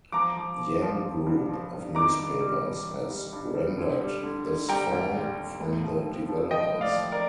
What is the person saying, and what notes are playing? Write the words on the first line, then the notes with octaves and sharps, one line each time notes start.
Jang Group of Newspapers has rendered this font from the developers.
F3 A#5 D6
F3
F3
F3
F3
G2
F3
G2
D#3 A#5 D6
G2
G3
G3
D#3
G3
G2
G3
D3
G3
D3
D3
G3 G5 A#5
D#2
G3
D#2
A2
F3
F3
F3
F3 D#5 G5
A2
D5 F5
F3
A#4 D5